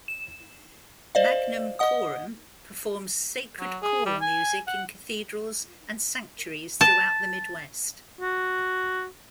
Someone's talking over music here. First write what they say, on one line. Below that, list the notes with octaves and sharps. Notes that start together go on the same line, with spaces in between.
Magnum Chorum performs sacred choral music in cathedrals and sanctuaries throughout the Midwest.
E7
C5 D5 D#5 F5
D#5 F#5 D#6
F#3
G#4
G3
G#5
F#5
A5
F#4